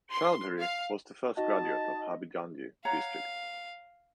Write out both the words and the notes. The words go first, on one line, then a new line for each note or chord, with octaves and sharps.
Chowdhury was the first graduate of Habiganj District.
C6
F5
D#4 F#4 D#5 A5
C#5 F5 F#5 A#5